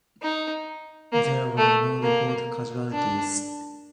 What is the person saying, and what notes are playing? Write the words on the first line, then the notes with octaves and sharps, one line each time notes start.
There were no reported casualties.
D#4
A#3
A3
A#3
D4